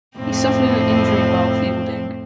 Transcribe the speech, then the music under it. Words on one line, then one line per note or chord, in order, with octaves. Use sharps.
He suffered an injury while fielding.
F2 A2 C4